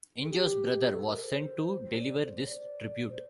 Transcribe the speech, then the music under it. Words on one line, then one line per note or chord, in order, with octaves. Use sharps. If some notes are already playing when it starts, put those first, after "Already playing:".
Injo's brother was sent to deliver this tribute.
A4
G4
A4
A#4
C5
C5
D5
C5
D5
C5